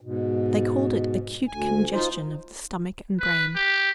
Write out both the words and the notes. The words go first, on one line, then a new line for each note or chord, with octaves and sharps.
They called it acute congestion of the stomach and brain.
G#2 B2
D2 G#5
D#4 F4 C5
B4
G4